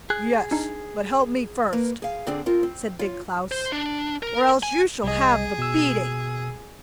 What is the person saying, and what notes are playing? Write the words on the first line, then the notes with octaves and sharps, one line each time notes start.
'Yes; but help me first,' said Big Klaus, 'or else you shall have a beating!'
G#4 F#6
D4 D#4
A#3 A#4 B4
G#4 F5
D3 C4 D4 G#4
F3 C4 F4 A#4
C4
F4 C#5
C5
D4
A#4
G#5
C2 G#4 D#5
B2 E6